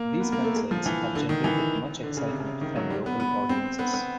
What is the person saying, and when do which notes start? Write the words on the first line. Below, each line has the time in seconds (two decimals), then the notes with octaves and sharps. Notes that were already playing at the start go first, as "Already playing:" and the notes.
These concerts have generated much excitement from local audiences.
Already playing: A#3
0.20 B3
0.32 A#3
0.44 A3
0.56 G#3
0.71 F3
0.86 E3
1.15 D3
1.29 D#3
1.44 E3
2.03 D3
2.17 C#3
2.29 C3
2.40 C#3
2.61 D#3
2.76 F#3
2.90 G3
3.06 B3
3.20 B3
3.49 C4
3.79 B3
3.94 B3